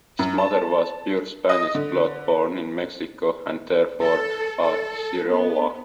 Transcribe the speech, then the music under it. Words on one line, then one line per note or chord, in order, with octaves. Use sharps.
His mother was of pure Spanish blood born in Mexico, and therefore, a criolla.
F#2
A5
D#5
D3
A4
A4
B3